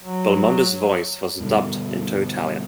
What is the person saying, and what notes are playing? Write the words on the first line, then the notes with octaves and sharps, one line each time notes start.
Belmondo's voice was dubbed into Italian.
F#3
G2 B2 D3